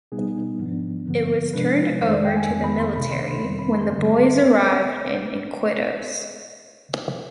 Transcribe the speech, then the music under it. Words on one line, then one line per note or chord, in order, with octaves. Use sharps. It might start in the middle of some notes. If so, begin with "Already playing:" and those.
It was turned over to the military when the boys arrived in Iquitos.
B2 G3 B3 D#4 G#4
G#2 F3 B3 D4
G2 D3 F3 B3
C3 F3 G#3 D4 B4
F2 D#3 G#3 C5
D5
G5
G#5
F2 D#3 B3
B5
C6
C2 C3 D#3 B5
C6
B5
F2 D#3 G3 C4
B5
C6
G2 D3 G3 C6